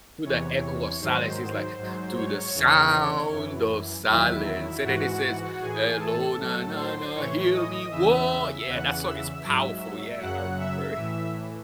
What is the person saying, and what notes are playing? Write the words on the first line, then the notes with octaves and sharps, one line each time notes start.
to the echo of silence, he's like, "To the sound of silence." And then he says, "Hello na na na, hear me war." Yeah, that song is powerful, yeah, I remember.
E2 C3 E3 C#5
G#2 D#3 F#3 C5
G#2 F#3
C#5
E2 C#3 E3
F#2 E3
E2 D#3 F#3 E4 E5
G#2 E3 F#4 F#5
A2 E3 G#4 G#5
A4 A5
A2 F#3
C5 C6
A2 E3 C#5 C#6
D#5 D#6
E2 C#3 E3 E5 E6
E5 E6
E2 C#3 E3 F#5 F#6
E5 E6
G#2 F#3
F#2 C#3 F#3 F#5 F#6
E5 E6
A2 E3